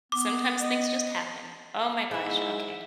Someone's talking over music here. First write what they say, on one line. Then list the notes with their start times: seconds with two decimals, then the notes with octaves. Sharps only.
sometimes things just happen. Oh my gosh, okay.
0.12 B3 D6
0.60 D#5
2.11 G#2 G#3 E4 E5